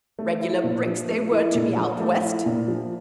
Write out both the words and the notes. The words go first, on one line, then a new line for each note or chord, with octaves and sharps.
Regular bricks they were to me out West!
A3
E4
A#2
F3
A3
E4
A#2
F3
A3
E4
A#2
F3